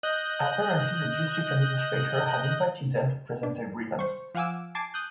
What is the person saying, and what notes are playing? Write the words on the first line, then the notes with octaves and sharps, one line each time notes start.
Apparently the district administrator had invited them to present their grievances.
D#5 F#6 G6
D4
C5 C#6
F3 F5 F#5 G#5 D6 E6
G#5 A5 D6 A6 C7
D#6 F#6 G6